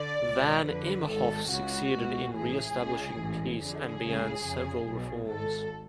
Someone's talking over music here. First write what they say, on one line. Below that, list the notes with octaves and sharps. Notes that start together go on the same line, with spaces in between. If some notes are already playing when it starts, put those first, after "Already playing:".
Van Imhoff succeeded in reestablishing peace and began several reforms.
Already playing: D3 D5
C#2 B2
F2 D3 B4
G#1 G#2 A4
C#2 C#3 F#4
C#2 B2
A1 A2 G#4
C#2 C#3
A1 G#2
F2 D3 G#4
C#2 C#3
F2 C#3
B1 B2
G#1 G#2 A4